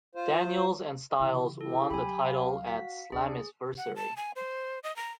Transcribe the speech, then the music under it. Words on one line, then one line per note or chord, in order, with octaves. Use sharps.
Daniels and Styles won the title at Slammiversary.
F4 C5
C#3 E3 E4 G4
E4 G4 A4
D2 F#3 G#5 B5
F5
F#4 B6
D2 D4 G#4
F#5
A5
G#5
C5
D#5
A#5